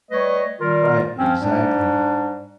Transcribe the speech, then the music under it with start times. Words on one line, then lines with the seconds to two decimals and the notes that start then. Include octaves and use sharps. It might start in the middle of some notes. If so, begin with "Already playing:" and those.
Right, exactly.
0.12 G3 A3 B4 C#5 D#5
0.60 D#3 G3 F4 A#4
1.18 F3 C4 C#4
1.41 G#2 G3 D4